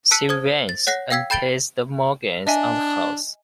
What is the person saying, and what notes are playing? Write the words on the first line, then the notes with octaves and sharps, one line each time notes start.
She wins and pays the mortgage on the house.
A5 E6 F#6 B6 C#7 D#7
C5 D#6 G#6
A6
C#5 F#5 F#6 A#6 C7
F5 G5 E6 G#6 B6
G5 B5 G6 A6 D7 G7
D4 D#5 E5 G#5